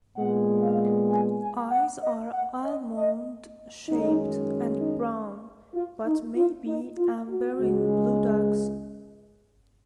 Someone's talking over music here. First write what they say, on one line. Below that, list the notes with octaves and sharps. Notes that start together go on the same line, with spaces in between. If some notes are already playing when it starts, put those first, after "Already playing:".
Eyes are almond-shaped and brown but may be amber in blue dogs.
A#2 G#3 B3 F#5
F5
G#5
G#5
F#5
D#5
F#5
D#5
D#5
F#2 D#3 G#3 C#4 D#4
D#4
F4
D#4
F4
D#4
F4
F#4
C#2 C#3 G#3